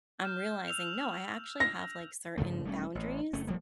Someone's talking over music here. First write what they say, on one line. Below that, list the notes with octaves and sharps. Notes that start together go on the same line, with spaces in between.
I'm realizing, no, I actually have, like, certain boundaries,
F6 G6 E7
E6 F7
A#6
G2 C#3 F3 A3
E1 G3 A3 C#4
A1
F#1 A3 C#4
D#1 F3 G3 A#3